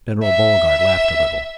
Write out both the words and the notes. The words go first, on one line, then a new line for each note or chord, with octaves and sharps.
General Beauregard laughed a little.
E5